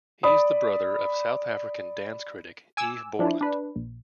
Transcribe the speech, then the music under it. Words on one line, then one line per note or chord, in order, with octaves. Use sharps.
He is the brother of South African dance critic Eve Borland.
D5 B5 D#6
G#5 D6 E6
F3 D4 E4
D4 B4
A#1